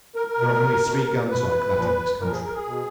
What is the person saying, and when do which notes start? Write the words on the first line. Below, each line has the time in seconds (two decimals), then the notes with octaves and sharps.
There are only three guns like that in this country.
0.15 A#4
0.27 A#4
0.39 B2
0.84 B2
1.29 B2 B4
1.75 A#2 F3
2.21 A#2 F3 A#4
2.32 G#4
2.44 A#4
2.55 G#4
2.67 B2